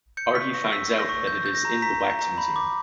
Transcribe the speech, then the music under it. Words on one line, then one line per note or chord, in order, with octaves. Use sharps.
Artie finds out that it is in the wax museum.
G6 C#7
C#6 B6
C#6 A#6
E6 B6
G6
A#6
C#6
G6
G6
A#6
A#5
A#5 B6
A#5
A#5
B5
D6